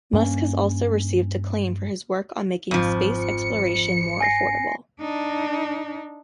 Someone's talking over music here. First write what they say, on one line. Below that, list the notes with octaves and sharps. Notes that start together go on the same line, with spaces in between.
Musk has also received acclaim for his work on making space exploration more affordable.
G2 A#3 C4 C#4
G1 F2 G#2 F3
C#7
G#5 A#6 C7
D4 D#4